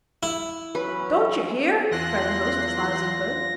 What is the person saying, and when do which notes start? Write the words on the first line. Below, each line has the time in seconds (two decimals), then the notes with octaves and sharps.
'Don't you hear?' cried the host as loud as he could.
0.23 E4
0.75 E2 F#3 C#4 B4
1.91 E2 F4 C6 F#6 A#6